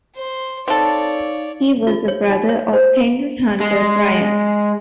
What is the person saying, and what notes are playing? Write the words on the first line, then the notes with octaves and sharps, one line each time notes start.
He was a brother of Henry Hunter Bryan.
C5
C4 D#4 A4 C#5 D5 F5
F4
C#5
D#4
C#5
C5
G#3